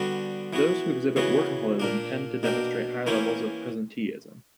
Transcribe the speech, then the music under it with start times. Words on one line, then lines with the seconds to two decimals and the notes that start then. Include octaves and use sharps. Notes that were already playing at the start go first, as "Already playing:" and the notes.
Those who exhibit workaholism tend to demonstrate higher levels of presenteeism.
Already playing: D3 G3 B3 F#4
0.53 E3 B3 F#4
1.16 C#3 E3 B3 F#4
1.80 A#2 A#3 D4
2.43 B2 A#3 D4 G4
3.07 E3 A#3 C#4 E4 G4